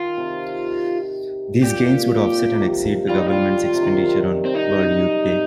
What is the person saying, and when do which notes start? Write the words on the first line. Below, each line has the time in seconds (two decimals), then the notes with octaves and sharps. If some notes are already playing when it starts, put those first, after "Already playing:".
These gains would offset and exceed the government's expenditure on World Youth Day.
Already playing: D#3 F4
0.17 C3
1.63 A#2 G4
2.36 C3
2.51 C3
2.61 D#3
2.84 F3
3.09 G3 F4
3.18 D#4
3.28 G3 F4
3.57 D#3
3.74 C3
3.82 D#3
4.45 C4
4.55 D#4
5.27 C3